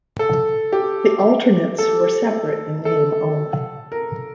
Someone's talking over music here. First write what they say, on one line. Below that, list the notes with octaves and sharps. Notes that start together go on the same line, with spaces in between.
The Alternates were separate in name only.
A4
G4
A4
A4
A#4